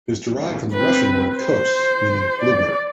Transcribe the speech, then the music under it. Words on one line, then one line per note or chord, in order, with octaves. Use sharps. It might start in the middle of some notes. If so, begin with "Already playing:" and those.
It is derived from Russian word "kos" meaning bluebird.
C4 B4
C5
D5